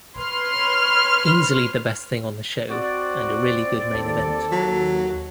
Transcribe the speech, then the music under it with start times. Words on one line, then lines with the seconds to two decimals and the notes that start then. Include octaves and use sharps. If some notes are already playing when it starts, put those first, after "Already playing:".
Easily the best thing on the show and a really good main event.
0.19 B4 C#5 C6 F6
2.70 C4 F#4 D5
3.94 D#2 A4
4.52 F#3